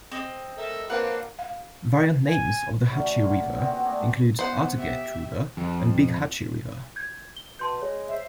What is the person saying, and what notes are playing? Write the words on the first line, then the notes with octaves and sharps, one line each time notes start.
Variant names of the Hatchie River include Arteguet River and Big Hatchie River.
C4 D#5
A4 A#4 E5
A#3 C4 D4 F4 B4 F#5
F5
G#5
D3 F#3 A3 C#4
A3 A#3 F4 F#4
A#2 B3 C4 F#4
A3 D4 G#4
B3 C5 F#5
G4 E5
F2
G6 G#6
G7
B2 A5 C6 G6
G#3 C#5
C5 E5